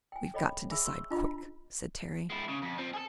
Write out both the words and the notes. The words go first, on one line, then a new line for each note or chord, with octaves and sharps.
"We've got to decide quick," said Terry.
G5 G#5
A4 C#5 D#5 G5 B5
G#4 E5 G#5 B5 E6
G#4 C6 C#6 E6
D4 E4 F4 D#5 B5
G#3 E4
C#3
F2
F3 C4
G#4 A4